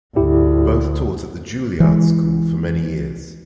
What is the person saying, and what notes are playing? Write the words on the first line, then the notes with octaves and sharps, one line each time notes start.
Both taught at the Juilliard School for many years.
D2 G#2 E4 G4
E3 G#3